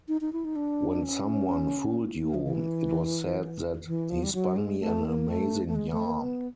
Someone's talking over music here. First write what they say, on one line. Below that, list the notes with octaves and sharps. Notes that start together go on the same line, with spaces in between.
When someone fooled you, it was said that "he spun me an amazing yarn".
D#4
D#4
E4
D#4
D4
C#4
A#3
F3
E3
E3
F3
G3
F#3
G#3
A3
A#3
A3
A3
G#3
A3
A#3
B3